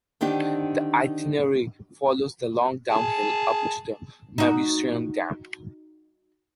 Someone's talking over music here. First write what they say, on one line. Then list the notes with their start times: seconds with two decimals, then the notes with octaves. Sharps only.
The itinerary follows the long downhill up to the Mauvoisin.dam.
0.21 D3 D#3 C4 D4 G4
2.91 G#4 A5
4.38 D#4 F#4